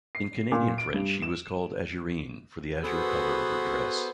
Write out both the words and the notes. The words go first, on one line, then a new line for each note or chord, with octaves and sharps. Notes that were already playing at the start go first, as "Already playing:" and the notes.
In Canadian French she was called Azurine, from the azure color of her dress.
C7
A#2
D7
G2
E7
B3 F#4 G#4 A4 B4 C5